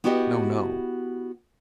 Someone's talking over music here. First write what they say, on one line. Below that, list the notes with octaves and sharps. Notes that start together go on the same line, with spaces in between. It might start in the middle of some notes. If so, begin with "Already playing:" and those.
No, no.
B3 E4 F#4 G4 C#5 D#5